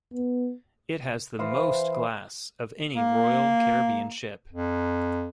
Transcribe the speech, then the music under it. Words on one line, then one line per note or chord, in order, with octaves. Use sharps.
It has the most glass of any Royal Caribbean ship.
B3
E3 C5 F5
A#3
F2